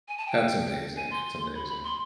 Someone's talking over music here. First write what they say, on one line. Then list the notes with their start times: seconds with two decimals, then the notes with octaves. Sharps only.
That's amazing, that's amazing.
0.08 G#5
0.18 A5
0.27 G5
0.96 G#5
1.11 C6
1.55 B5
1.69 B5
1.84 C6